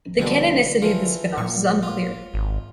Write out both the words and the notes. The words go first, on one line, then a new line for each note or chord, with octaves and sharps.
The canonicity of the spin offs is unclear.
B2 D3 F3 G3
E3 F3 F4
A#2 C#6
F4
G#1